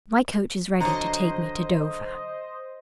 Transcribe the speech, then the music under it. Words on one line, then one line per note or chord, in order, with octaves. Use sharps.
My coach is ready to take me to Dover.
D3 F#3 C5 D#5 A#5